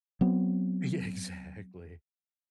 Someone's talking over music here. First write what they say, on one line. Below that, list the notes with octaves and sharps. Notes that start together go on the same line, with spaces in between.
Yeah, exactly.
F#3 B3 C4